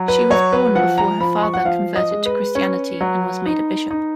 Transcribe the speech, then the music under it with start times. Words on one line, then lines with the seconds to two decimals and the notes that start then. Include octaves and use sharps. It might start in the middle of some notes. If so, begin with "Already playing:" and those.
She was born before her father converted to Christianity and was made a bishop.
Already playing: F#3
0.08 B4
0.30 F#3 C#5
0.52 B4
0.75 F3 F#5
0.98 A#5
1.20 F3 B5
1.43 C#6
1.54 F#5
1.65 F3 F5
1.96 D#5
2.11 G#3
2.26 B4
2.55 C#4
3.01 F#3
3.46 D#4
3.90 D#4